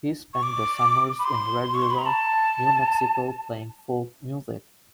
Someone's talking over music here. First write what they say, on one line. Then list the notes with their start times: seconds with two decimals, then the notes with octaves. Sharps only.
He spent the summers in Red River, New Mexico playing folk music.
0.34 C#6
0.43 D6
1.19 B5
1.25 C6
1.75 C#6
1.82 C6
1.91 B5
1.98 A#5
2.06 A5